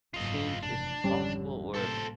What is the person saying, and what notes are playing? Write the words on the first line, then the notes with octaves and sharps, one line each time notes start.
"Change is possible?" Or,
F#1 G#2 C#3 F4 D#5
F1 E2 D4
G#1 F2 D3 G3 C#4
A2 C3 A#3 A4 C5